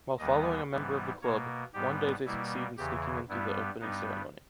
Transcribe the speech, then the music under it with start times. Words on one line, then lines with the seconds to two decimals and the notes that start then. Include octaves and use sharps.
While following a member of the club, one day they succeed in sneaking into the opening ceremony.
0.18 D#2 D#3 G3 B3 D#5
0.71 G#2 E3 G3 B3
1.22 B2 A#3 C#5
1.73 G#2 G3 B3 G4
2.26 B2 G3 A#3 E4
2.77 E2 C#3 E3 G4
3.28 G2 G3 B3 E4
3.81 G2 G3 B3 D#4